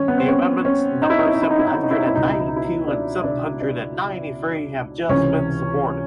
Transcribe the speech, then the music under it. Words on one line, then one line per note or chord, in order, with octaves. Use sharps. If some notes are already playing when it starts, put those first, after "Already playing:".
The amendments number seven hundred and ninety two and seven hundred and ninety three have just been supported.
Already playing: G2 D#3 C#4
B3
C4
C#4
C#4
D#4
E4
D#4
E4
D#4
E4
D#4
E4
D#4
E4
D#4
E4
D#4
E4
C#2 B2 D#4
E4
D#4
E4
D#4
E4
D#4
D4
D4
D4
C#2 C3 E3 C#4